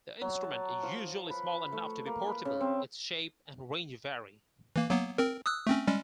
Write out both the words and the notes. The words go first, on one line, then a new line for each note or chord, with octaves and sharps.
The instrument is usually small enough to be portable; its shape and range vary.
F#3
A5
F3
B4
A3
A#3
B4
C#3
C4
E3 A#3
F#3 A#3 B3
C4 A#4
D#6 E6 F#6
A3 C4 C#4
G3 G#3 C#4